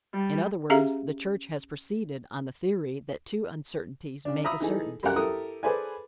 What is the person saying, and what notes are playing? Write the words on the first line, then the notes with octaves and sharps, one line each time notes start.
In other words, the church has proceeded on the theory that two uncertainties make a certainty.
G3
C#4 G4 G#4 E5 F5 A#5
C#3 D4
E5 A#5 B5 D#6 E6
E3 D#4 G#4 A4
F#2 G3 G4 A#4 F#5 F#6
E4 G4 A4 A#4 D#6
G#4 A4 B4 C5 D5 G#5